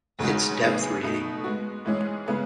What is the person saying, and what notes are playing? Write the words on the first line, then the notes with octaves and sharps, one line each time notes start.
It's depth reading.
E2 C#3 G#3 D#4 F#4
A2 F#3 B3 D#4 G#4
B2 A3 D#4
G#3 B3 F#4
G#2 E3 G#3 C#4 G#4
C#3 G#3 B3 E4 G#4